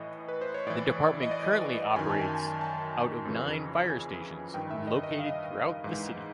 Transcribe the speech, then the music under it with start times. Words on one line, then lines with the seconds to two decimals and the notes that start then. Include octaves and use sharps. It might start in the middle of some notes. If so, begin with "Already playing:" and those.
The department currently operates out of nine fire stations located throughout the city.
Already playing: A2 E3 D#5
0.28 B4
0.41 C5
0.54 C#5
0.67 A2 E3 D5
1.23 D#5
1.31 D5
1.96 F#2 D#3 G#5
2.09 A5
2.21 G#5
2.35 A5
2.47 G#5
2.61 A5
3.25 F2 C#3 E3
3.90 G#5
4.54 G2 D#3 G5
4.71 E5
4.87 D#5
5.03 D#5
5.19 F5
5.84 G#2 E3